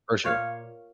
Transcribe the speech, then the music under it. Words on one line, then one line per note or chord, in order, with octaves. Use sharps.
For sure.
A#2 C#5 F5